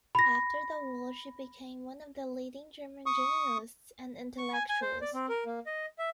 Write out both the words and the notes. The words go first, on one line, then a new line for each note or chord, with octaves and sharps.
After the war, she became one of the leading German journalists and intellectuals.
B5 A#6
C#6 D#6
C#6
G#5
G#5
C5
D5
C4
A#4
A#3
D#5
E5